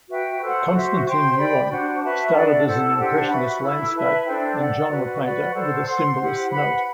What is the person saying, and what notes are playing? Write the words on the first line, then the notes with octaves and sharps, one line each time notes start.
Konstantin Yuon started as an Impressionist landscape and genre painter with a Symbolist note.
F#4 B4 E5 G5
A4 C5 F#5
F#4 C5 E5
C5 G5 C6
G4 D5 G5 B5
D4 F#4 C5 F#5
F#4 B4 E5 A5
D4 A4 D5 F#5
E4 A4 C5 F#5
D4 G4 C5 F#5
F#4 B4 E5 B5
E4 A4 E5 B5
E4 B4 E5 A5
D4 A4 C5 G5
A4 D5 F#5
F#4 B4 F#5
F#4 B4 D5 F#5
A4 C5 F#5
C5 F#5 C6
E4 G4 C5 F#5
B4 F#5 B5